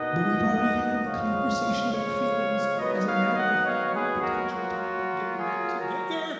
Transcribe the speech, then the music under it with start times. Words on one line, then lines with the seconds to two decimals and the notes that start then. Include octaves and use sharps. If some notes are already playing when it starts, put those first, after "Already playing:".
but, we've already had the conversation about feelings. As a matter of fact, we've potentially talked about getting back together.
Already playing: B2 A#3 D#4 D#5 F#5
1.05 C#3 F3 G#3 C#5 F5
1.91 C#5 F5
2.78 D#3 F#3 B3 D#4 B4 D#5
3.07 C#5 F5
3.35 D#5 F#5
3.64 C#5 F5
3.93 G#4 B4
4.21 F#4 A#4
4.50 F#3 A#3 F4 F#4
5.37 F4 G#4
5.79 F#4 A#4